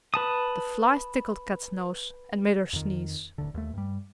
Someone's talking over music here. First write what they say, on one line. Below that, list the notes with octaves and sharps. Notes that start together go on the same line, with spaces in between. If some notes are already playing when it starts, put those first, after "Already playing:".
The flies tickled Kat's nose and made her sneeze.
B4 A5 D#6
F2 D#3
D1 D2 D3
D#2 A3
G2 G3